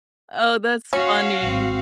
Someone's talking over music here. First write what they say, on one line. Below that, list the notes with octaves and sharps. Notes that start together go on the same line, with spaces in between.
Oh, that's funny.
C#4 F#4 F5
G#1 C4